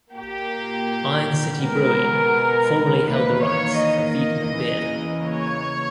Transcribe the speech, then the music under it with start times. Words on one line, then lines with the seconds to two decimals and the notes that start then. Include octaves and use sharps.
Iron City Brewing formerly held the rights for Wiedemann beer.
0.14 A#2 A#3 G4
1.60 B2 G#3 B3 A#4
3.06 E2 D#3 A#3 B4
3.44 C#5
3.80 D#5
4.52 E2 C#3 E3 A#3
5.26 C#5